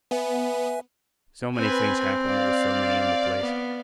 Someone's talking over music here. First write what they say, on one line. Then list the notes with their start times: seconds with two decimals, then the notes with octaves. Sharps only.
So many things happened--there were so many in the place.
0.11 B3 B4 E5 G#5
1.57 C4 B4 G#5
2.27 D5 F5
3.40 B3